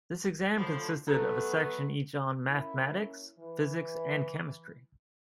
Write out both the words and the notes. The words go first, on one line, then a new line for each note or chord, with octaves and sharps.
This exam consisted of a section each on Mathematics, Physics and Chemistry.
A2 D3 F3
F#3 A3 B3 A4 A#5
A#3 C#4 E4
E3